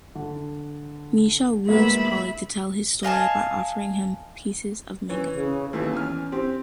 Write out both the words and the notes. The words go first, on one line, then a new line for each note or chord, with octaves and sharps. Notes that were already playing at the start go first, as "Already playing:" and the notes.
Misha woos Paulie to tell his story by offering him pieces of mango.
D3
G#3 A#3 B3 E5 B5
D#5 F5 G#5 A5
E3 C#4
C#3
D#2 E3 A3 C#4
E2 F6
C4 G4